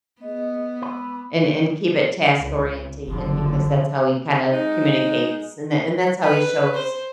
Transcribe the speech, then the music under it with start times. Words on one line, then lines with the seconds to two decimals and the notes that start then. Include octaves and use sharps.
and and keep it task-orientated because that's how he kind of communicates, and th and that's how he shows,
0.21 B3 G#4 D#5
0.82 G#3 B4 D6 E6
2.36 C#2
3.07 F#1 D3 F3
4.52 G#3 D#4
6.22 B4
6.75 C5